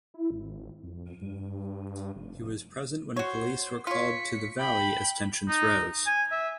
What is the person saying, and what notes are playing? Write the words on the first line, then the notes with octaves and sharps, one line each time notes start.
He was present when police were called to The Valley as tensions rose.
E4
G#1
F2
G2
F1
F#4 C5 C#5
F4 C#5 B6 C#7
G5 B5
D#4
G#5
E5